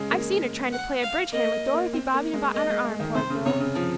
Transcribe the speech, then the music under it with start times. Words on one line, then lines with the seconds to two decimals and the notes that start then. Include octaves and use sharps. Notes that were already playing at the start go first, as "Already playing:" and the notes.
I've seen her trying to play a bridge hand with Dorothy bobbing about on her arm--poor girl!
Already playing: C#3 G#3
0.11 A#3
0.72 F#5
1.03 F5
1.32 A#3 D#5
1.73 A#3
1.93 C4
2.14 A#3
2.33 G#3
2.54 A#3 D#5
2.69 G#3
2.84 G#3
3.00 D#3
3.15 C3 C5
3.30 C#3
3.45 C3 C#5
3.60 C#3
3.75 F3